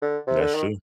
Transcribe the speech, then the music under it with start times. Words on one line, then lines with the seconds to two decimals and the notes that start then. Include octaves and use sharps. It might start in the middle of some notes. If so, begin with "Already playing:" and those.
That's true.
0.02 D3
0.27 C3
0.41 D3
0.55 D#3